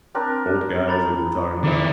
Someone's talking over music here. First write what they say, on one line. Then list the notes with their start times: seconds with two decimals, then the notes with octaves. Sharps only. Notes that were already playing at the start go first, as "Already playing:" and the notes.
old guys, like, we were talking about.
0.15 C4 D4 A#4
0.88 A#5 B5 A6
1.64 D#3 E4 D5